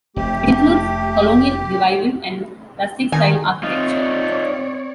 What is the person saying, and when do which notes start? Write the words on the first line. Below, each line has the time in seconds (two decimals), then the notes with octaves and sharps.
It includes Colonial Revival and Rustic Style architecture.
0.16 F1 A3 G4
3.12 D#3 G#5
3.63 C4 D#4 F4 C#5 D5